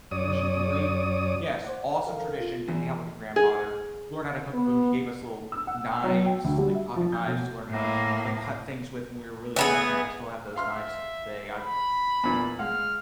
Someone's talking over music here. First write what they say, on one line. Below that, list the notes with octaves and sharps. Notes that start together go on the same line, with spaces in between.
It was a great Yes, awesome tradition to hang out with your grandfather, learn how to cook food. He gave us little knives, like pocketknives to learn how to, like, cut things with when we were really young. Oh, I still have those knives t today. I
F#2 C#5 D5 D#6
C5 D5 F#5
A4 A#4 F5
F4
E2
G#4
B3
E6
F#5
G5
F#3
G5
D2
G3
E5
F3
G6
B2
A2 A#3
E3 B3 G#4
E5 F5 C6 F6
B5
E2 A#2
G#3 F5 F#5 F6